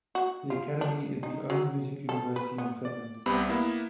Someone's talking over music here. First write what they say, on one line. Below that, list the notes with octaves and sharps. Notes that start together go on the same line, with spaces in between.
The Academy is the only music university in Finland.
F#4
F4
D4
D#4
F#3
A4
B4
B3
D5
C2 C3 B3 B5
A#3 B3 E4